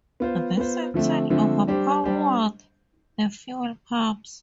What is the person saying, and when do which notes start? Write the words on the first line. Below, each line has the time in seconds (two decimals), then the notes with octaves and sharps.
This in turn overpowered the fuel pumps.
0.20 B3 F4 C5
0.57 B3 F4 C5
0.94 D3 F3 A3 C4
1.30 D3 F3 A3 C4
1.67 G3 D4 G4 C5
2.04 G3 D4 G4 C5